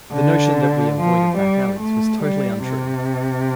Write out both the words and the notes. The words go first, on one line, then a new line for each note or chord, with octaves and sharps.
The notion 'that we avoided back alleys was totally untrue'.
D3
F3
G3
A3
G3
C3